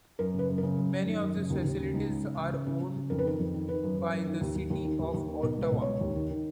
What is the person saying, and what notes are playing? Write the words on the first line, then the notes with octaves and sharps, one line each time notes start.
Many of these facilities are owned by the City of Ottawa.
F#2 A#4
C#3
B4
F#2
A#4
C#3
F#2
F#2
D#3
F#2
C#3
D#2
D#2
C#3
C#2 D#4
C#3
C#2
C#3
C#3
C#3
C#3
C#3
F2 A#4
B4
D#3 A#4
F2
D#3
D#3 B4
F#2
F#2
F#2
D#3
D#2
D#2
D#2
D#3
D#2
D#2
D#3
B2 A#4
C#2 B4
B2
C#5
C#2
D#2
D#3
D#3